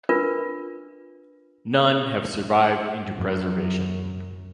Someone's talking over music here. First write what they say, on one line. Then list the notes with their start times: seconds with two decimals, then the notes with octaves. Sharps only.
None have survived into preservation.
0.09 D4 F4 A#4 B4
3.16 F#2